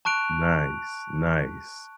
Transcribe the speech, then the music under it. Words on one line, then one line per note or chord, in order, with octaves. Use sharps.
Nice, nice.
A5 C#6 F#6 D7 F7